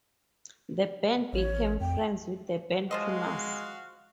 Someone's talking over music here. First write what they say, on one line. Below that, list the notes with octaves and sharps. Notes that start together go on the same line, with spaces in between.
The band became friends with the band Primus.
A1 C#5
F2 G5
F3 G#3 F#4 C5 D#5 F5